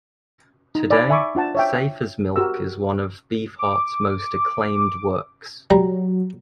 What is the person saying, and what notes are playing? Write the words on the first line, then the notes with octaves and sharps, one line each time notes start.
Today, "Safe as Milk" is one of Beefheart's most acclaimed works.
D#4
D5 G#5 B5
D5 E5 G#5 B5 C#6 D6
D4 F4 F#5 A5
C#5 E5 G5
F#4 G4 A#4 E6
D6
F#3 G3 A#5